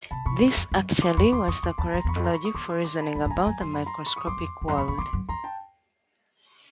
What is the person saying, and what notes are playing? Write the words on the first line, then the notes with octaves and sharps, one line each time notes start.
This, actually, was the correct logic for reasoning about the microscopic world.
C3 A5 B5
C3 B5 C#6
G#2
F2
F#2
C6 D6
F2 B5 C#6
E2 C6 D6
F2 C#6 D#6
F2 C6 D6
E2 A5 B5
F2 A#5 C6
E2 B5 C#6
F2
A#5 C6
B5 C#6
C#6 D#6
E2 C6 D6
C6 D6
C6 D6
A5 B5
F#2 A5 B5
G2
G#5 A#5
G#2
F#2 G#5 A#5
F#2 C6
B5
A#5 C6
B5 C#6
C#6 D#6
F#2 C6 D6
F2
F2
F#2 A#5 C6
F2 B5 C#6
E2 B5 C#6
F2 C6 D6
F#2
F2 A#5 C6
G5 A5